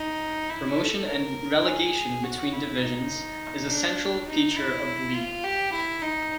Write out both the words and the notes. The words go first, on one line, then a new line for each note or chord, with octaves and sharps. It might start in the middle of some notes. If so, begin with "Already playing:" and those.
Promotion and relegation between divisions is a central feature of the league.
Already playing: D#4
E4
A4
A#4
G#4
F#4
E4
D#4
D4
D#4
E4
F4
G4
E4
D#4